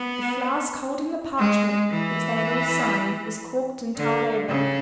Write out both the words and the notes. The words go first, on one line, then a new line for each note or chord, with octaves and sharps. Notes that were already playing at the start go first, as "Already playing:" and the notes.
The flask holding the parchment which they had all signed was corked and tarred over.
Already playing: B3
G#3
E3
D3
C#3